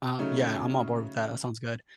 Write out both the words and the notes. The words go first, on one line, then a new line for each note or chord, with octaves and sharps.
Um, yeah, I'm on board with that, that sounds good.
C#3 F#3 A3 C#4 D#4